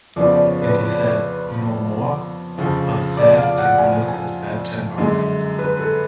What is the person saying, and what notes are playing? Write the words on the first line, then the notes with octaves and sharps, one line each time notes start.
And he said no more, but sat and nursed his bad temper.
F2 C#3 F3 B3 D4 D5
D5
C#5
B4
C#5
F2 C#3 F3
D5
F5
F#5
G#5
G#5
F#2 D3 G#3
B4
A4